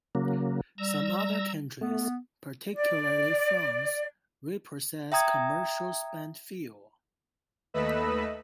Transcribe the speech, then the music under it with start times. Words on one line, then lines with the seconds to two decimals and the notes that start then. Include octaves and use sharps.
Some other countries, particularly France, reprocess commercial spent fuel.
0.15 C#3 F#3 A#3
0.78 G3 A#5 E6
1.81 A3 B3
2.76 D5
5.12 E5 G5 A#5 D#6 G#6
7.74 D#2 A3 B4 D#5 B5 E6